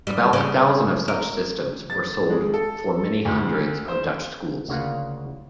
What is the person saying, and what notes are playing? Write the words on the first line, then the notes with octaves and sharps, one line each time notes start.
About a thousand of such systems were sold for many hundreds of Dutch schools.
G3
C#3
A#4
A6
G#3
A4
D2
C5
D2 C#3 A#3 F4 F5 F#5